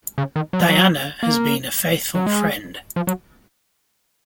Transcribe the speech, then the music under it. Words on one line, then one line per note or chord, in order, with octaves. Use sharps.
Diana has been a faithful friend.
C#3
D#3
F#3
F3
F#3
A#3
F#3
G#3
F3
F#3